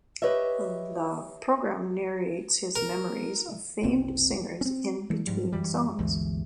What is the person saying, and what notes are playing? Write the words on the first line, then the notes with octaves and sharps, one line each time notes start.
The program narrates his memories of famed singers in between songs.
G4 B4 C#5 D#5 E5
A#4
F#1 C2 C4
C4 C#4
E3 G3 A3
G#2 F3 G3
F#2 E3 G3
G1 D2 E3 G#3